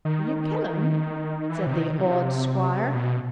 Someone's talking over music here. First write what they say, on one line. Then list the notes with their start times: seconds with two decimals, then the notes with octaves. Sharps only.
"Will you kill him?" said the awed squire.
0.05 D#3
1.50 E3
1.67 C3
1.74 D#3
1.98 C3
2.94 B2